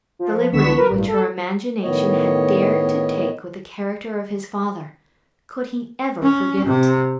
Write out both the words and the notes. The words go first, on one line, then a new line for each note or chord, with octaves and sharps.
The liberty which her imagination had dared to take with the character of his father--could he ever forgive it?
F3
C#2 D3 B3 C#6 B6 E7
A#4 B4
A1 G2
A4
A2 D#3 B3 C#5 D#5
C#4
C3